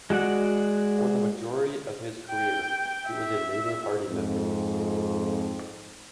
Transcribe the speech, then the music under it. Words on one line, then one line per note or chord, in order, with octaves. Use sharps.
For the majority of his career he was a Labour Party member.
G#3 F#4 D5 F#5
G5
E5
F2 G#2